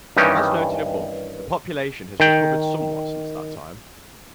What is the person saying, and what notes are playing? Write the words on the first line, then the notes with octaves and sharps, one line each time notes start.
As noted above, the population has recovered somewhat since that time.
G2 D#3 E3 C#4 D#4 G4
D#3 G5